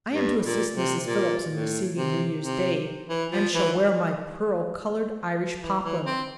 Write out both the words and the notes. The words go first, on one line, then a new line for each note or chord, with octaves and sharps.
I am to assist Mrs. Phillips in receiving New Year's day, and shall wear my pearl-colored Irish poplin.
G2
A#2
C3
A#2
A2
C3
C3
E3
F3
E3
E3
E3
C4